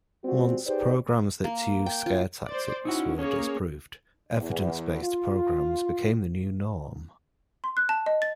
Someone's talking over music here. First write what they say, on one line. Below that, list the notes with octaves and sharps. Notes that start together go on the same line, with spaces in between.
Once programs that used scare tactics were disproved, evidence-based programs became the new norm.
G3 G#3 C4 F4 F#4
D#4 G4 G#4 B4 C5 D5
A#3
G5
F4
C5 D5
C#4 D#4 E4 F#4
A#3 C#4 G#4 C#5
E2
F4
C6
F#6
A5
D#5
A6